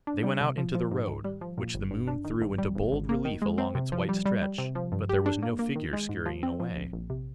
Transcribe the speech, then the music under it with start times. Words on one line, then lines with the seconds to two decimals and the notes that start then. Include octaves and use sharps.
They went out into the road, which the moon threw into bold relief along its white stretch, but there was no figure scurrying away.
0.07 D4
0.23 G3
0.41 C3
0.58 F3
0.75 F3
0.91 G#2
1.07 D#3
1.25 G3
1.41 F3
1.58 A#2
1.74 G1
1.91 G2
2.07 D4
2.25 D#3
2.41 G#1
2.58 G3
2.75 G#1
2.92 G#1
3.09 A#3
3.25 D#3
3.42 G#3
3.58 C4
3.75 C3
3.92 F3
4.09 G3
4.26 G3
4.43 G3
4.58 C3
4.75 F3
4.92 G2
5.09 G4
5.26 D4
5.43 A#3
5.59 A#3
5.76 D#3
5.93 G#3
6.09 G#2
6.26 F3
6.43 C4
6.60 F3
6.76 A#1
6.93 A#1
7.10 C3